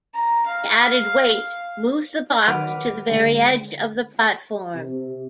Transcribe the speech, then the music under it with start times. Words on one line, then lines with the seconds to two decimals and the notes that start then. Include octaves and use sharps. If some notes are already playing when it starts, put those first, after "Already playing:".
The added weight moves the box to the very edge of the platform.
0.14 A#5
0.46 F5
2.46 D#3 F#3 B4 F#5 D6 F6
3.09 D3 G#3
4.75 C3